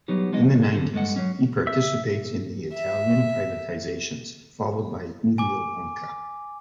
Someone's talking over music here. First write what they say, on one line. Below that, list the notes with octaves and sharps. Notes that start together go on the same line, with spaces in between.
In the nineties, he participates in the Italian privatizations followed by Mediobanca.
F#3 G3 B3 D#4 G4
F3 G#3 B3 D#4 D#5
A2 D3
D3
G2 G#3 A4 D#5 F#5
F#3 C#4
E5
E5
G#5 D6